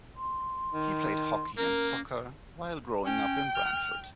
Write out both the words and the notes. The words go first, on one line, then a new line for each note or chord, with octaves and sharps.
He played hockey and soccer while growing up in Brantford.
C6
D#3
A#3 C#4 A#4
C#4 G5
F6